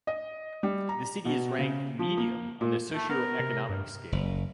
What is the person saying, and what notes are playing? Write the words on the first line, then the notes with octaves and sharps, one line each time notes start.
The city is ranked medium on the socio-economic scale.
D#5
G3
A#5
B2
C#3
F3
A#3
A#2
A3
B3 A#4
C3
G2
F#1